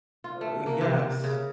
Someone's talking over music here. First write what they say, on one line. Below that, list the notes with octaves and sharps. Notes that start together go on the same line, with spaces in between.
Oh, yes,
F4
A3
A#3
C3
C3
C#3